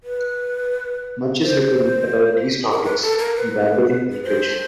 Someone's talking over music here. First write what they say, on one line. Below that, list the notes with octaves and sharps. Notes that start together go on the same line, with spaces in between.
Much is written about these topics in rabbinic literature.
B4
C5
A#4
B4
A4
A#4
B4
B4
C5